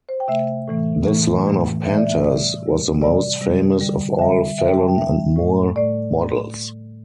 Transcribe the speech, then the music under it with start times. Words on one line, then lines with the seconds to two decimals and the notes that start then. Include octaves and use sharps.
This line of Panthers was the most famous of all Phelon and Moore models.
0.09 C5
0.20 G5
0.28 C3 A3 E5
0.68 A2 E3 A3
1.06 A2 E3 A3
1.45 A2 E3 A3
1.85 A2 E3 A3 E5
1.96 D5
2.07 E5
2.23 C3 G3 D5
2.63 C3 G3
3.02 C3 G3 D5
3.41 C3 G3
3.80 D3 G3
4.19 D3 G3 E5
4.58 D3 G3 E5
4.68 G5
4.78 A5
4.88 G5
4.97 D3 G3 E5
5.36 A2 A3
5.76 A2 A3 D5